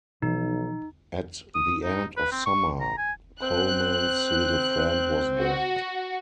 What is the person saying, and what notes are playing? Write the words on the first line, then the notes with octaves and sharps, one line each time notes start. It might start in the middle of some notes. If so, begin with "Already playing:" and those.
At the end of summer, Colman's little friend was dead.
B1 B2 E3 F3 D#4
D#6
D#4
B4
C4
C#6
A#5
G#5
C4 F#6
F#4